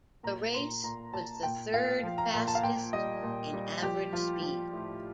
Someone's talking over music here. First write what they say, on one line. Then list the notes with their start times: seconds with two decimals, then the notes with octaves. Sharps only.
The race was the third fastest in average speed.
0.23 A#2 A#5
0.53 A#2 C6
0.83 A#2 A#5
1.13 A#2 A5
1.43 A#2 G5
1.73 A#2 F5
2.03 F3
2.18 A#5
2.33 A#2 A#5
2.48 A5
2.55 F5
2.63 A#2 G5
2.93 G3 D#5
3.23 A#2
3.53 G3
3.82 F3 G4
4.13 F3 F4
4.42 F3
4.73 A2